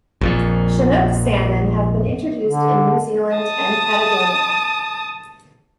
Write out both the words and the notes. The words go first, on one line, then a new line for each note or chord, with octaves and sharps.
Chinook salmon have been introduced in New Zealand and Patagonia.
A#1 F2 A#2
D3
A5 D#6